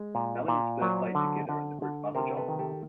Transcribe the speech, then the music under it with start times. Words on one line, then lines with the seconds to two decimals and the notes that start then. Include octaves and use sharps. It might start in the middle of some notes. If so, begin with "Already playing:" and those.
Melling and Spurr played together in the group MotherJohn.
Already playing: G#3
0.15 A#2
0.48 A#2
0.81 F#3 C5 D5
1.15 D3
1.49 D3
1.82 D3
2.15 C3 A#4 C5
2.37 A4 B4
2.48 D#3
2.59 G4 A4